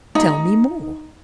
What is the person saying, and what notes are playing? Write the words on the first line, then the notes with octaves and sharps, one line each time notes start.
Tell me more.
D#4